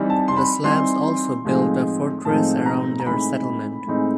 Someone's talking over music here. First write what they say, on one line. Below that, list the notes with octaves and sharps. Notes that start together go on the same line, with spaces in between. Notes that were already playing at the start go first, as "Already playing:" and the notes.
The Slavs also built a fortress around their settlement.
Already playing: E3 G3 C4 D#4
A5
C6
B5
E3 G3 C4 D#4 C6
A2 F3 G#3 C4 D#4
A2 F3 G#3 C4 D#4 A5
A#5
A#5
A2 E3 G#3 C4 D#4 B5
A2 E3 G#3 C4 D#4